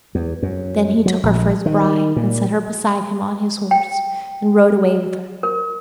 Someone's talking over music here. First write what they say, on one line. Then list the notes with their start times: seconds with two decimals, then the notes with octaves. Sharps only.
Then he took her for his bride, and set her beside him on his horse and rode away with her.
0.15 E2
0.43 F#2
1.06 F#3
1.23 A#1
1.66 D#3
2.16 A#2
3.71 G5
5.43 A#4